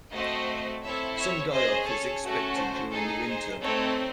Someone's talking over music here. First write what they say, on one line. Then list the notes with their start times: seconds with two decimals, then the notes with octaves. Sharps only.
Some die-off is expected during the winter.
0.13 A3 C4 F#4 C5 D#5
0.82 C4 E4 A4 C#5 E5
1.17 C#5 E5
1.52 C#4 G#4 C5 D#5
1.87 A4 C#5
2.22 A3 C#4 F#4 A4
2.56 C5
2.90 D#4 G#4 A4
3.26 C5
3.60 A3 C4 D#4 A4 C#5